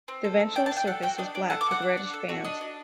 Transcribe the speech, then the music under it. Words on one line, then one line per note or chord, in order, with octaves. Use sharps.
The ventral surface was black with reddish bands.
C4
A4
D#4
D4 G5
A5
D4
G5
A4 F#5
F#4 G5
D4 D#5
D4 D5
A4 F#5
D6
F#4 F#5
D4
D4
A4
F#4
D4 D#5
D4